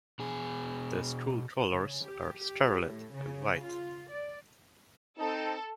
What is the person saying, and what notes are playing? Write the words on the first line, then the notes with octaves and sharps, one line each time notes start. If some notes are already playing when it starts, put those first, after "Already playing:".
The school colors are Scarlet and White.
B2 G#4
C#3
G4
G4
A2
C#3
F4
D5
C4 D#4 A4